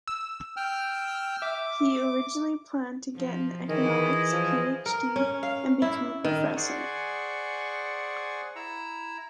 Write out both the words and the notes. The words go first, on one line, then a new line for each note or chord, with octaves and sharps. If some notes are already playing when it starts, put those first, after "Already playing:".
He originally planned to get an economics PhD and become a professor.
E6
G5 F6
E5 D6
F3
D#3 E3 E4 G#4 D#5
F3
A#4
C#4
F5
E4
D#3
G#4 C5 D5 F#5 G#5 C#6
E4 A#5 E6